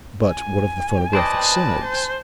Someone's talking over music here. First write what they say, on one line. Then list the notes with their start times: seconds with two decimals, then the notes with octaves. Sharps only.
"But what of the phonographic signs?"
0.24 G#5
1.13 B4 C5 D5 D#5 A5
1.84 C5